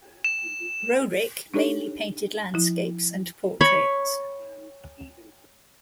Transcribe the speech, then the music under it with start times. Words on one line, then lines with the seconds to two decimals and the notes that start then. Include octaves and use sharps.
Roerich mainly painted landscapes and portraits.
0.24 E7
1.54 D4 D#4 G4 A4 C#5
2.54 F3 E4
3.61 C#5 B5